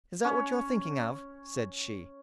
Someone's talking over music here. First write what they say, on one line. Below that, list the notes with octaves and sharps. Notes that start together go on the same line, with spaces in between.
Is that what you're thinking of?' said she.
C#4 C#5